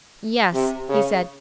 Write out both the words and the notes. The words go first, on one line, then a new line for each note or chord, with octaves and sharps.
"Yes," he said.
C3
C#3